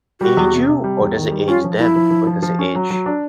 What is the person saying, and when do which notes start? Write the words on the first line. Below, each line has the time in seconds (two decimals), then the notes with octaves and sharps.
age you? Or, does it age them? Or does it age
0.20 G3 F#4
0.37 E2
0.53 C3
0.69 C3
0.84 G3
1.01 E2
1.16 D#3
1.31 G3
1.48 C#4 F4
1.64 F3
1.79 F3 E4
1.96 F3
2.11 F3
2.27 F3
2.42 F3
2.59 C#4
2.75 F#3
2.90 F#3
3.06 D4